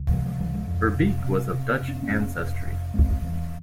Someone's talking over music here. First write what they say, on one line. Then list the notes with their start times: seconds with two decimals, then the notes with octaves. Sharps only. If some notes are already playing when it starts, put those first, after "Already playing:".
Verbeek was of Dutch ancestry.
Already playing: C#2
0.11 C3 E3 G3
0.25 F3 G#3
0.39 C#2 E3 G3
0.54 F3 G#3
0.68 F2
0.96 C3
1.24 C3
1.52 C3
1.81 F1
1.88 C#4
1.95 C4
2.02 A#3 C#4
2.09 F1
2.37 F1
2.66 F1
2.94 F1 G#3 C4
3.22 E2